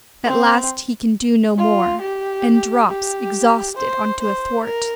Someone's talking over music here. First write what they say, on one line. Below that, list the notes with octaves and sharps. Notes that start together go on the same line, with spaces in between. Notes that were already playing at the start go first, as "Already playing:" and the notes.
At last he can do no more, and drops exhausted on to a thwart.
C4
F4
G4
G4
C5
C5
A#4